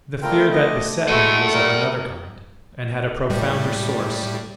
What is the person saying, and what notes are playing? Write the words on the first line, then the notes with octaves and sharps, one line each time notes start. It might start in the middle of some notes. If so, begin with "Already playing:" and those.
The fear that beset him was of another kind, and had a profounder source.
G3 A3 C4 F4 A#4 G5
G4 D#5 C6
G#3 A3 E4 F#4 F#5 G#5
G3 A#4
A2 G3